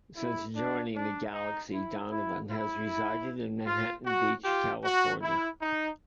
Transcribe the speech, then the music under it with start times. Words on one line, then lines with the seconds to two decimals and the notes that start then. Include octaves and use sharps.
Since joining the Galaxy Donovan has resided in Manhattan Beach, California.
0.16 E4
0.55 D4
0.94 D4
1.33 D#4
1.72 E4
2.11 E4
2.50 E4
3.66 F4
4.06 F#4
4.44 F4 G4
4.84 F#4
5.22 E4
5.62 D#4